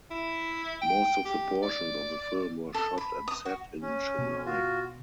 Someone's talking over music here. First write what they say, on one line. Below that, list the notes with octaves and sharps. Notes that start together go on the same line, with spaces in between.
Most of the portions of the film were shot and set in Chennai.
E4
G5
G4
D5
A4
B5
D#6
F#4
C#4
B2
F4 F#4